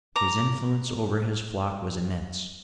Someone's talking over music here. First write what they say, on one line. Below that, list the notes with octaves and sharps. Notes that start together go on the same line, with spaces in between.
His influence over his flock was immense.
A#5 D6